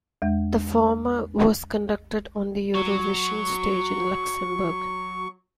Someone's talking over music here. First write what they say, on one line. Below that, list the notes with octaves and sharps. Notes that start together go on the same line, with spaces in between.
The former was conducted on the Eurovision stage in Luxembourg.
E2 G#3
F#3 C#6